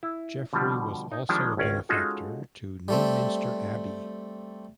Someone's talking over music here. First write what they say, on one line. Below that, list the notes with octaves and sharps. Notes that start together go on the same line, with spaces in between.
Geoffrey also was a benefactor to Newminster Abbey.
E4
B2 D3 F3 G3
D#4 C#5
D#3 F3 G3 G#3 C#4 D4
G#1 C#2 C#4 D5 F5
G#3 C#4 D#4 F4 F#4 A4
G3 A3 C4